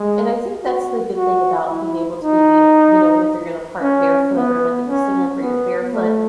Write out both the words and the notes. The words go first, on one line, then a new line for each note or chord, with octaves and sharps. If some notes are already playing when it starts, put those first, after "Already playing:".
And I think that's the good thing about being able to be, you know, whether you're going to the park barefoot or, like, in the sand where you're barefoot.
Already playing: G#3
F#4
F#4
E4
D#4
C#4
B3
C#4
B3
A3